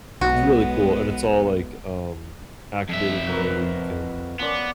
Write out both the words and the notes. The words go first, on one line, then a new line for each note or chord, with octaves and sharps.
it's really cool, and it's all, like, um, activated in a way where you can
B1 G#3 B3 F#4
F2 E5
F#4 A#4 B4
F3 B3 C#4 D5